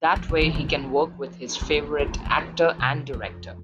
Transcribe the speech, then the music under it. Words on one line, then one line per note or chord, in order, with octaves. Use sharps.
That way he can work with his favorite actor and director.
F3
D3
E3
D3
F3
C4
A#3
A3
A#3
A3
E3
C3
F2